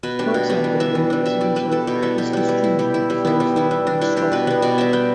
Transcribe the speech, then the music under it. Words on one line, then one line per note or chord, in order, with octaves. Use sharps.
For example, they were residents of Eskilstuna, Fairfield and Stockholm.
B2 B4
G3 D4
B2
G3 D4
E3
G3 D4 E5
E3
G3 D4
G3 E5
E4 D5
G3 B4
E4 A4
B2 G4
G3 E4 A4
B2 G4
G3 E4
G3
E4
G3 G4
E4
G3
B3 E4
G3
B3 E4
G3
D4
G3 E4
D4 G4
B2 B4
G3 B3
B2 D5
G3 B3 E5
G3 G5